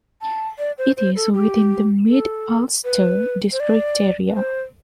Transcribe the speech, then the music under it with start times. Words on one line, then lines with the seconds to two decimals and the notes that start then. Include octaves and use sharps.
It is within the Mid-Ulster District area.
0.22 A5
0.59 D5
0.78 C5
0.97 C5
1.16 A4
1.34 G4
2.09 A4
2.84 B4
3.53 C5
3.60 D5
4.28 B4
4.35 C5